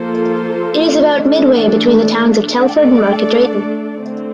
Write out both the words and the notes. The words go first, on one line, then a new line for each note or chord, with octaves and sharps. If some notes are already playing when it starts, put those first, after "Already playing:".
It is about midway between the towns of Telford and Market Drayton.
Already playing: F3 A#3 F4 A4 C5
E3 A3 D4 A4
A3 D4 A4 D5
D3 A3 C4